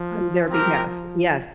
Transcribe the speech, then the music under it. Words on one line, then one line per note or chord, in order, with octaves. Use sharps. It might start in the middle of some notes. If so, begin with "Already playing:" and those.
on their behalf Yes.
Already playing: F3
C4 G4 A#4